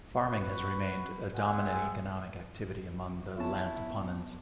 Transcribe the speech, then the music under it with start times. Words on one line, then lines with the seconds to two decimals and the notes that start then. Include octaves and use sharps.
Farming has remained a dominant economic activity among the Lantapanons.
0.22 F#4 B4
1.35 C4 G#4 E5 F#5 G#5
3.37 B3 C#4 E4 A5